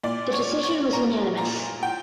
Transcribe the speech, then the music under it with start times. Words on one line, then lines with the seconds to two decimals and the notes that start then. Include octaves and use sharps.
The decision was unanimous.
0.04 A#2 D5
0.33 C#5
0.48 A#2
0.63 C#5
0.93 A#2 A#5
1.37 A#2 A#5
1.83 G5